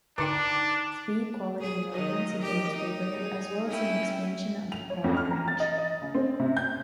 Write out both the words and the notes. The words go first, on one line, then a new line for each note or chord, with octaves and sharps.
Speed, quality and relevance of the newspaper, as well as an expansion of the product range.
D3 D4 D#4 G5 D6
G#4
D#3 F#3 D#4 A#4 D#5
G4
D#4
G#4
C#4 E4 G5
F7
C#5
F2
F6
A#5
A6
D#5
D#5
C#3
C4
C3
G6